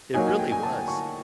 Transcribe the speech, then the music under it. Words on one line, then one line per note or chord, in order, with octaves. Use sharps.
It really was.
F#3 A#3 D#4 G#5
G#5
G5
G#5
A5
C#6